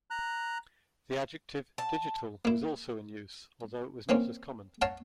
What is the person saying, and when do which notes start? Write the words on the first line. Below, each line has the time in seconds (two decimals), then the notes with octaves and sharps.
The adjective "digital" was also in use, although it was not as common.
0.10 A#5 F#6
1.78 A5
2.45 A#3 E4
4.09 E3 A#3 C4 C#4
4.82 C#5 F5 F#5 A5 A#5